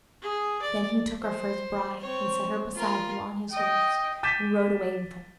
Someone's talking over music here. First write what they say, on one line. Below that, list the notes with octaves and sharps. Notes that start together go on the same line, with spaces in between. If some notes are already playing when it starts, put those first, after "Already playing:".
Then he took her for his bride, and set her beside him on his horse and rode away with her.
G#4
D5
C5
C4 C#5
F4 A#4
D#5 G5
D6 G6 A6 B6 D#7 E7